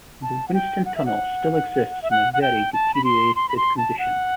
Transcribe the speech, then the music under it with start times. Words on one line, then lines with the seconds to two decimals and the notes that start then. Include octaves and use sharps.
The Winston Tunnel still exists in a very deteriorated condition.
0.22 A5
0.48 F#5
0.54 G5
0.85 F#5
0.95 E5
1.06 F#5
2.02 E5
2.11 F#5
2.33 F#5
2.42 G5
2.73 A5
2.94 B5
3.04 C6
3.36 C6
3.49 B5
3.57 C6
3.77 A5
3.98 F#5